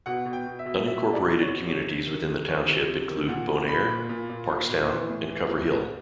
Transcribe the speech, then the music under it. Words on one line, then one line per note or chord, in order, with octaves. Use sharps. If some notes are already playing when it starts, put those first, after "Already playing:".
Unincorporated communities within the township include Bon Air, Parkstown, and Cover Hill.
B2 F#5
B2
G5
B2
E5
B2
B2 E5
B2
D5
B2
C#5
B2
C3 C#5
C3
D#3
C3
D#3 C#5
C3
C3
D#3
A#2 F#5
A#2
A#2 B5
A#2
A#2
A#2
A#2
A#2
E3 C6
A2
E3
A2
A2